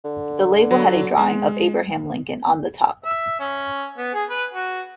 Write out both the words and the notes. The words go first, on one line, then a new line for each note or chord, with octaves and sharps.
The label had a drawing of Abraham Lincoln on the top.
D3
F#3
G#3
E5
C#4
B3
G#4
B4
F#4